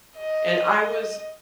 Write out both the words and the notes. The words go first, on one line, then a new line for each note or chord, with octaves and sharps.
And I was
D#5